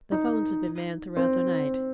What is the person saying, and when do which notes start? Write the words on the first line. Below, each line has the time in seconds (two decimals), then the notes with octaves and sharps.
The phones had been manned throughout the night.
0.12 D#4
1.17 C4